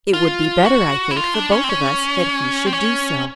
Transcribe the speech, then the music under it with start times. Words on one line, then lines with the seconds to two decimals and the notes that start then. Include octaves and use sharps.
"It would be better, I think, for both of us that he should do so."
0.13 F4
0.65 F#4
1.11 E4
1.17 F4
1.34 D4
1.52 C#4
1.64 C4
1.69 C#4
2.66 C4
2.73 C#4